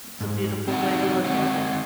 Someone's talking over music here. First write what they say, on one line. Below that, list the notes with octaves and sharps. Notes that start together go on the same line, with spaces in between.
It's a beautiful way to look at it.
G#2
C4 D#4 G#4 D#5 F#5
G#3 C4 D#5 F#5